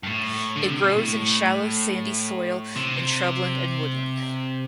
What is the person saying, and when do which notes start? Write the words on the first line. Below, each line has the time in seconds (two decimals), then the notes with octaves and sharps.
It grows in shallow sandy soil in shrubland and woodland.
0.03 G2
0.07 A2
0.56 D3
0.69 C3
0.83 B2
0.97 A2
2.76 C3